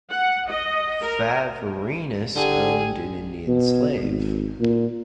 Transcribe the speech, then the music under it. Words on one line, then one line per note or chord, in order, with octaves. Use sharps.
Favorinus owned an Indian slave.
F#5
D#5
A#4
D3 E4 G4 G#4 G5 G#5
B2
G#1
A#2